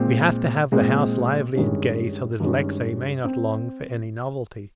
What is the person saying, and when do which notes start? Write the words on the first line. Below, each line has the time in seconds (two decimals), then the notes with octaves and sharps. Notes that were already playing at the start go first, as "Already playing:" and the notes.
We have to have the house lively and gay, so that Alexey may not long for any novelty.
Already playing: A#2 G#3 C4
0.72 A#2 G#3 C4
1.55 G2 D#3 G#3 C#4
2.40 G2 D#3 G#3 C#4
3.24 C4